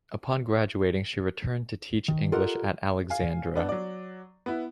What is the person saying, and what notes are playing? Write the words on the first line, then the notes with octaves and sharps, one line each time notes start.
Upon graduating, she returned to teach English at Alexandra.
D#3
F4 G4 A4 A#4 D#5 F#5
F5 G#5
B3 D4
F#3 D5
B3 E4